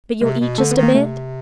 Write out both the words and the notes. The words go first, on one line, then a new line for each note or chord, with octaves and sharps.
But you'll eat just a bit?
C3 G#3
B2
D3 A3
B3
D#3
A#3
C3 A3